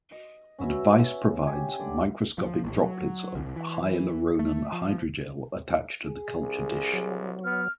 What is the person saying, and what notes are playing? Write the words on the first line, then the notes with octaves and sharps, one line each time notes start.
The device provides microscopic droplets of hyaluronan hydrogel attached to the culture dish.
D#5
C#4 F#4 B4 E5
G4 G#5
D3 D5
F3
A1
F#3
C2
E3
A3
F3
G#4
C2
F#3
B3 F6